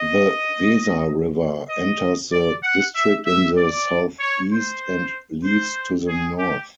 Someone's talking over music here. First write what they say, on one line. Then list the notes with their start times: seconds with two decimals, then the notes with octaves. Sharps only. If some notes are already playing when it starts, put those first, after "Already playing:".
The Weser River enters the district in the southeast and leaves to the north.
Already playing: D#5
1.69 D#5
2.32 D5
2.62 F#5
2.94 E5
3.26 E5
3.57 D5
4.19 C#5
4.51 C5
5.44 C5
6.07 G#4
6.38 G4